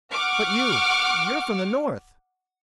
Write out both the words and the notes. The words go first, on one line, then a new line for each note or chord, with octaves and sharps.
"But you--you're from the North."
F#5 C#6 D6 F6